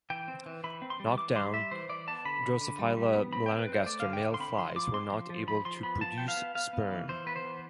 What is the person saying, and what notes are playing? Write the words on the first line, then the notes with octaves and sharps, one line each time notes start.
Knockdown "Drosophila melanogaster" male flies were not able to produce sperm.
E3 G5
C4
E3
E3 B5
C4
C6
G3
E3 D6
G3 C6
G3 E5
E3 C5
E3 D5
B3 A5
D3 B5
D3
D3
G3
G3
B3
C4 B5
C4 G5
B4
C4 C5
A3 D5
D3 F5
G5
D3
C6
C4 B5
F3 C6
F3 D6
C4 C6
F3
F3
F3 B5
F3 C6
B3 B5
F3 A5
B3 G5
F5
B3
B3 F5
B3
E3
E3 C5
B3 B4
C5
E3